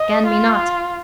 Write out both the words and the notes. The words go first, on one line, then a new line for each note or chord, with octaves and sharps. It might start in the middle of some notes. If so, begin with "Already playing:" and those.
Scan me not!
Already playing: D#5
F4